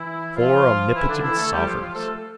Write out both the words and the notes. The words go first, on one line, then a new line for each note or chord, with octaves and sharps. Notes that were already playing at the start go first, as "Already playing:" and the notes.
Four omnipotent sovereigns.
Already playing: E3 E4
F3 F4
E3 E4
D3 D4
E3 E4
A3 A4
G3 G4
F3 F4
F3 F4
A3 A4